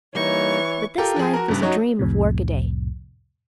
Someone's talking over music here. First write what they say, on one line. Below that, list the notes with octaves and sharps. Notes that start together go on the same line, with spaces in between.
But this life was a dream of workaday.
E3 G3 A#3 D#4 C#5 C#6
F4 G4 A4 A#4
F3 G#4
F#4 A#4
F#1 G2
F#3 D#4 F#4 C#5
C2 F2 A2 C3